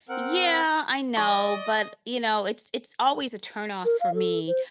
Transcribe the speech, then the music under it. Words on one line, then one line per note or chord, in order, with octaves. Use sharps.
Yeah, I know, but, you know, it's it's always a turn-off for me.
C4 A#4 F#5
D5 D#5 C#6
A#4
F5
A4
C5